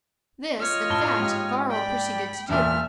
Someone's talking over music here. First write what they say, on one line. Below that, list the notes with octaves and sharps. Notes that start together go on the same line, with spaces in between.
This in fact Varro proceeded to do.
F4 C#5 D#5 F6
A2 A5 G7
G#2 G4
D5 G5 B5
E2 A#2 A3 E5 F6